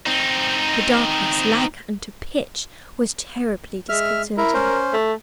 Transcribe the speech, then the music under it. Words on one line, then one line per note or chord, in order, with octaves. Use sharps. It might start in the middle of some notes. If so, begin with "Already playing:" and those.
The darkness--like unto pitch--was terribly disconcerting.
C4 D#4
G#3 E5 F6
E4 A#4
C#4 C5
A3